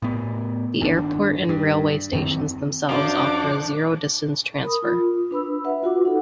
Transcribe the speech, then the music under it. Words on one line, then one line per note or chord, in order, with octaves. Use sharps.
The airport and railway stations themselves offer a zero-distance transfer.
A2 B3
G1 D#3 C4 D4
G2
F#2 D#3 C4
F#2 F3 D4 D6
A#4 B5 D#6
F4
D4 B4 B5 E6
B4 E5 F#5
F4 F#4 F#5 D6
D#4 A4